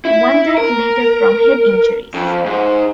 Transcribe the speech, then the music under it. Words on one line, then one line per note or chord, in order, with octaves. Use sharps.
One died later from head injuries.
E4
A#4
F2
G#2